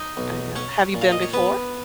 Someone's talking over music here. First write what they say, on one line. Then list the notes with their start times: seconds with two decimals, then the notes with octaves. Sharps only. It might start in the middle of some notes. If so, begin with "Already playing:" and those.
I know. Have you been before?
Already playing: D#4 D#5
0.17 B1
0.56 C#4 C#5
0.94 A#2
1.01 F5
1.12 D#5
1.23 C#5
1.34 B3 B4